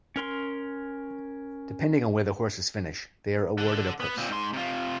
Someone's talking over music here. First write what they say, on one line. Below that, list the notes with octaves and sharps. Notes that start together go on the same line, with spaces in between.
Depending on where the horses finish, they are awarded a purse.
C#4 A#4 C6
A4 F#5
B3
A#2 C4
G#2 C6
C3 F4